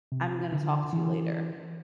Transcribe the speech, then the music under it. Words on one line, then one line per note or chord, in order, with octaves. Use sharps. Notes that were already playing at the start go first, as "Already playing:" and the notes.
"I'm gonna talk to you later,"
C3
D3
E3